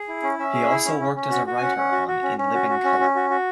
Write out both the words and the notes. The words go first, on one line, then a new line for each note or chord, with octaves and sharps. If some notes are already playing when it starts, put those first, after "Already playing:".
He also worked as a writer on "In Living Color".
Already playing: G#4
E4
C#4
C#4 E5
G#4
E4
C#4
C#4
C#4
F#4
F#4
G#5
C#4 F#5
C#4
F#4
F#4
C#4
C#4
F#4
F#4
C#4
C#4
F#4
F#4